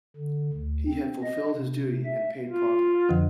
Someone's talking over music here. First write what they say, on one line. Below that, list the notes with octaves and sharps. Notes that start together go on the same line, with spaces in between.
He had fulfilled his duty and paid properly.
D3
D2
C4
D#5
C3
E5
F4
F2 D3 F3